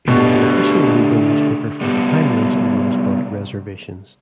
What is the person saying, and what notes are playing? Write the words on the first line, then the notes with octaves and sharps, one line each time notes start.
It is the official legal newspaper for the Pine Ridge and Rosebud reservations.
B2 D3 A3 D4 G4
C3 G3 B3